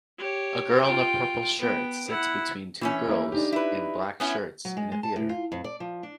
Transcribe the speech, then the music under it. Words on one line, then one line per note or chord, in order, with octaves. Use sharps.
A girl in a purple shirt sits between two girls in black shirts in a theater.
G4 C#5
F4 G5
B3 G5
E4 F#5
E3 A3 C#4
A#3 E4 A#4
D4 D#4 G4
E4 B4
B3 C#4 E4
F#3
G#3
G#3
A5
A2
F4
F2
D5
F3
D4